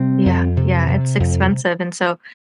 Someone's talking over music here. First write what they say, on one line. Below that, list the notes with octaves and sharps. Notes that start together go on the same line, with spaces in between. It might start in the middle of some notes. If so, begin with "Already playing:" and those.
Yeah, yeah it's expensive, and so
Already playing: C3 G3 C4
F2
C3
C3
F2